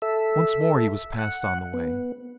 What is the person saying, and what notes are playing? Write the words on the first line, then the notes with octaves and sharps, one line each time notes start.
Once more he was passed on the way.
A4 E5
F#5
B3